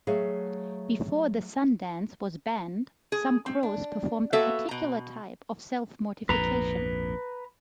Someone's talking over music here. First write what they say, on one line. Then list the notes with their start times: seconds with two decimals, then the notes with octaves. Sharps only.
Before the Sun Dance was banned some Crows performed a particular type of self-mortification.
0.07 F#3 A3 G#4 E5 F5
3.12 G#4
3.46 C4
3.63 D4
4.33 A#3 B3 F#4 A4 E5
4.69 B2 A#5
6.29 A#1 F2 G#2 B4 A#5